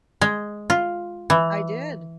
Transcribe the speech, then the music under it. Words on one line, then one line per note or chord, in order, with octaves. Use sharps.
I did.
G#3
F4
E3